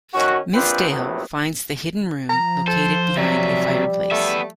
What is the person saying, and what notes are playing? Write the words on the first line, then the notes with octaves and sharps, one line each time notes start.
Miss Dale finds the hidden room, located behind a fireplace.
D#3 C#4 F#4
A#1 F3 C4 D4 B4
A#1 A2 C3 F#3 B3
F3 A#5
A4 C5
C3 F#3 G3 E5
A3 B3 E5